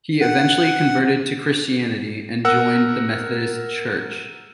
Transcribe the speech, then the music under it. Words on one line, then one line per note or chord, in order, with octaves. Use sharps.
He eventually converted to Christianity and joined the Methodist Church.
F#5
A#4 F#5 E6